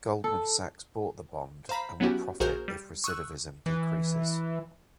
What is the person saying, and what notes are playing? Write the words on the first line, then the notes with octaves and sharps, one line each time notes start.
Goldman Sachs bought the bond and will profit if recidivism decreases.
A4
C5 F5 A#5 B5
F#3 B3 C#4 E4 F#4 G4
A#1 F#4 G#4 A#4 C5 G6
G3
C#6 D#6 E6 F#6
E3